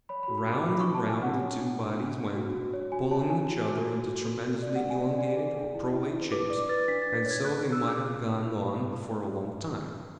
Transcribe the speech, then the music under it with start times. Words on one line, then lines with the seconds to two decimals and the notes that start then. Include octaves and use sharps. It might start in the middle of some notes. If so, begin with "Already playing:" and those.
Round and round the two bodies went, pulling each other into tremendously elongated or prolate shapes, and so they might have gone on for a long time.
0.09 C#5 B5
0.23 F#4 B5
0.38 B5
0.47 D4
0.52 D6
0.66 F#4 B5
0.81 D4 C#6
0.94 A5
1.04 C#5 G#5
1.22 D4 F#5
1.41 C#5
1.61 D4
1.79 D4
1.97 D4
2.17 D4
2.35 F#4
2.54 F#4
2.73 C#5
2.92 F#4 G#5
3.11 C#5 A5
3.30 C#5 G#5
3.49 F#4
3.67 F#4
3.86 A4
4.05 F#4
4.24 A4
4.43 F#4
4.62 D5
4.75 F#5
4.80 D4
4.90 G#5
5.00 D5
5.19 D5
5.37 G#4
5.57 D4
5.75 E4
5.94 E4
6.13 E4
6.32 B4 D6
6.50 D5 D6
6.69 B4 A6
6.88 D4 B6
7.02 D4 A6
7.26 C#5 G#6
7.45 G#4 F#6
7.64 G#4
7.72 E6
7.82 D4
7.88 D6